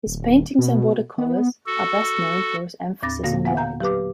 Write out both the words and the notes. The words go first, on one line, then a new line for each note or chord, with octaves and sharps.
His paintings and watercolors are best known for his emphasis on light.
D#1
B2
B3
F#4 A4
D#2 A2 C4 D6 A6 A#6
A#2 D3 A#3 F#4 F5 A#6
B3 F5 F#5 G#5
F5 A#5 G6
F#3 G4 B4 D6